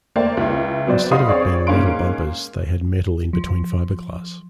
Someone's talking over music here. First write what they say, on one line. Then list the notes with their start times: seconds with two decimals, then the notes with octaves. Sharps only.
Instead of it being metal bumpers, they had metal in between fiberglass.
0.16 A3 A#3 C5 D5 G5
0.37 C#2 E4
0.87 F#3 B3 C5 D5
1.12 D#5 F5 F#5 B5 C6 D#6
1.29 C4 G#4 C#5 D5
1.67 G#2 A#3 C#4 F5 C6 D7
3.33 F3